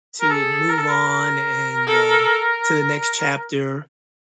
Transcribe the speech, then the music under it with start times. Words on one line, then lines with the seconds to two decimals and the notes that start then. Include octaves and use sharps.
to move on and, um, to the next chapter.
0.21 A#4
0.30 G#4 A4
0.70 A#4
0.78 A4
0.88 A#4
1.09 A#4
1.87 A4